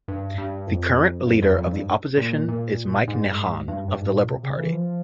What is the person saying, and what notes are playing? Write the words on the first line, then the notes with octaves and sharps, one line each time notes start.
The current Leader of the Opposition is Mike Nahan of the Liberal Party.
G2
G2
F2
G2
F2
F2
F2
G2
A#2
A#2
G#2
G2
G#2
G2
G2
G#2
A#2
C3
C#3
E3
F3